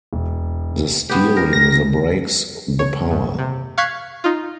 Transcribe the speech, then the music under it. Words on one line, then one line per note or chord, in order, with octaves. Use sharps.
The steering, the brakes, the power.
E1
B3 G4
A#4
A#6
C#5
G2
C3
F5 C#6 F#6 G#6 B6 C7
D#4 F4